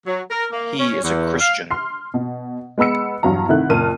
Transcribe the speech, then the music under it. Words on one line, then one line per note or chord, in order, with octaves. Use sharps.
He is a Christian.
F#3
A#4
A#3
C#4
E2
F5
C6 F6 C7
B2
G#3 B3 B5 E6 C#7
E2 G2 F#3 F5 A#5
C3 D#3 A3 E4 F#5 F#6
F#1 A#2 A#4 A5 F6 D#7